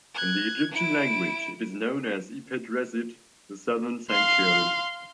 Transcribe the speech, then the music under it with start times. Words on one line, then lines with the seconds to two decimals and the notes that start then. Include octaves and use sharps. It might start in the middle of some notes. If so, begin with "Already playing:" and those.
In the Egyptian language it is known as "ipet resyt", "the southern sanctuary".
0.14 F#6 G#6
0.72 E4 D7
4.10 F5 C6